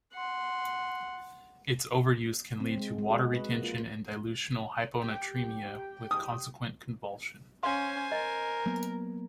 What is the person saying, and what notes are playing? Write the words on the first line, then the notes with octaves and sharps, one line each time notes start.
Its overuse can lead to water retention and dilutional hyponatremia with consequent convulsion.
F#5 C6
C4
G#3
G#3
F#4
B4
A#3
F4
G4 G5
D#6
C#4 C5 F5 G#5 C6
A#4 D#5
F#3 A#3 B3